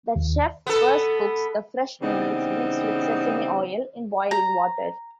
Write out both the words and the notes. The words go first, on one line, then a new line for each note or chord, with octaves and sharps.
The chef first cooks the fresh noodles mixed with sesame oil in boiling water.
D#2
B3 A4
C#3 E3 G3 B3 C4 D#4
A#5